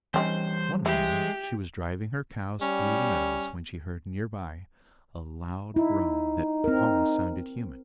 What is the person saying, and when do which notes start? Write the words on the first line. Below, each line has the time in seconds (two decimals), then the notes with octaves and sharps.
One morning she was driving her cows through the meadows when she heard near by a loud groan that almost sounded human.
0.14 D#3 E3 G3 C4 C#4 C5
0.86 G#3 E4 G4
2.61 G3 C#4
5.76 D#4 E4
6.64 C4 A#4